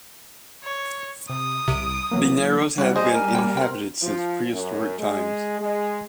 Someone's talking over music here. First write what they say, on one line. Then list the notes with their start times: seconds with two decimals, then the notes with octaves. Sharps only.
The narrows have been inhabited since prehistoric times.
0.63 C#5
1.30 C3 D#6
1.68 C2 C3 D7 D#7
2.11 E3 F#3 A#3
2.78 G3 C#4 D4 E4 F#5
2.96 G#4 C5 D#5 G#5
3.14 A#4
3.35 A#3 C#4 G5
3.57 C4 G5
4.02 F3
4.53 F#2
4.99 G#3
5.60 G#3